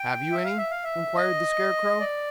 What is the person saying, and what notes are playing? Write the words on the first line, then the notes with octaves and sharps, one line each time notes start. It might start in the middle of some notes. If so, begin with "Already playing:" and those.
"Have you any?" inquired the Scarecrow.
Already playing: G5
E5
F5
E5
F5
E5
D#5
D5